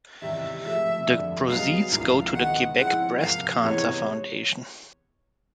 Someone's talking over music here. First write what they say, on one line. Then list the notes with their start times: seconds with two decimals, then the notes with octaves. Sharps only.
The proceeds go to the Quebec Breast Cancer Foundation.
0.22 E2 C3 D#3 G3 E5
0.64 C#3 F3 A3 E5
1.07 F2 D3 G3
1.50 C#3 F#3 B3 D#4 G#4 F5
1.92 C2 A#2 F3 F5
2.35 D#3 G#3 B3 D#4 F#5
2.77 C#3 F3 G#3 C4 E4 F#5
3.20 C3 F3 A#3 F5
3.62 C3 E3 G#3 B3 C#5